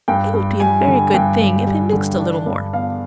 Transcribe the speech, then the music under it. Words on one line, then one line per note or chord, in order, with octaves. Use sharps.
It would be a very good thing if they mixed a little more.'
G2 G5
G2
G3 G#5
D3
G2 G5
G2
G3
D3
D4
G2
B3 F5